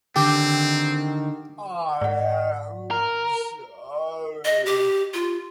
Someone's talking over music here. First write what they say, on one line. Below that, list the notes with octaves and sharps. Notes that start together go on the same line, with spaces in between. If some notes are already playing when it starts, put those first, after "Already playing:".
I am sorry.
D3 D#3 C4 G4
G#2 D5 F#5
A#4
D#5
G4
F4